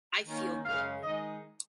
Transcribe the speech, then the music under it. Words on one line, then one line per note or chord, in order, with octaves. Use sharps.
I Feel Good!
D#3 A#3 C#4
F#2 C#3 G#3 F5
D#3 G#3 D#4 D#5